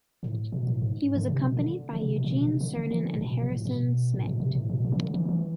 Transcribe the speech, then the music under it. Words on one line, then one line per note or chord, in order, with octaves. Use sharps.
He was accompanied by Eugene Cernan and Harrison Schmitt.
A2
B2
A2
G#2
D3
C3
B2
D3
D3
C3
B2
C3
B2
C3
D3
D3
E3
D3
A2
B2
B2
A2
B2
A2
B2
C3
A2
B2
C3
E3
D3
E3
D3
E3